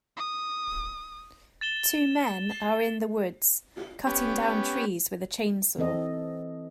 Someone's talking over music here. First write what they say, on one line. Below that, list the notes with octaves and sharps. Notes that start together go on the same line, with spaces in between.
Two men are in the woods cutting down trees with a chainsaw.
D#6
A6 E7 G7
B3 C#4 G4
E3 C4 A4 D#5